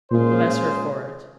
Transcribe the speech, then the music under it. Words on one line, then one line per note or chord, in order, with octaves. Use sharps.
Bless her for it!
A#2 G#3 C#4 F4 G#4 C5